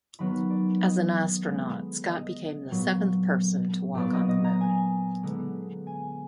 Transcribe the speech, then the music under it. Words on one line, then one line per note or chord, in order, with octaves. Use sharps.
As an astronaut, Scott became the seventh person to walk on the Moon.
D#3 F#3 B3 B5
D5
D#5
D3 G#3 B3
D#5
A#2 F#3 B3
A#2 F#3 B3 D5
D#5
D#5
A#5
G#5
D3 G#3 B3
G#5